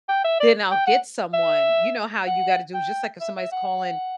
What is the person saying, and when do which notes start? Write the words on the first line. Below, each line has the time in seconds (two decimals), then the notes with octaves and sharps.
then I'll get someone," you know how you gotta do just like if somebody's calling
0.09 G5
0.24 E5
0.40 D5
0.71 G5
0.87 F#5
1.34 E5
2.27 F#5
2.74 G5
3.21 E5
3.37 E5
3.52 F#5